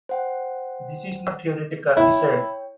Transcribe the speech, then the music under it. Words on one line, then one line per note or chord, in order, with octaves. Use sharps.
"This is not theoretical", he said.
C5 F#5 G5
E4 C#5 G5